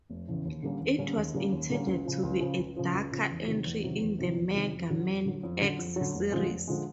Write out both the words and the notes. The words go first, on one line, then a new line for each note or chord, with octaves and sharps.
It was intended to be a darker entry in the "Mega Man X" series.
F1
E2 C#3 E3
D#2
D3 G3 A#3 C#4
D#2
D3 G3 A#3 C#4
D#2
D3 G3 A#3 C#4
D#2
D3 G3 A#3 C#4
C#2
C#3 F3
C#2
C#3 F3
C#2
C#3 F3
C#2
C#3 F3
E2
C3 D#3 F#3
E2
C3 D#3 F#3
E2
C3 D#3 F#3
E2
C3 D#3 F#3
F2
D3 F#3
F2
D3 F#3
F2
D3 F#3
F2
D3 F#3
F1
F2 D3 F3 G#3
F1
D3 F3 G#3